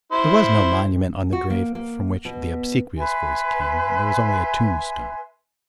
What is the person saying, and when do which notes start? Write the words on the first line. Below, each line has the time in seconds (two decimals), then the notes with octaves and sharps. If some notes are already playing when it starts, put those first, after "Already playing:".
There was no monument on the grave from which the obsequious voice came, there was only a tombstone.
0.12 E4 C5
1.33 F#4
1.50 A#3
1.75 A#3
2.25 B2
2.98 B4 E5 G#5 C6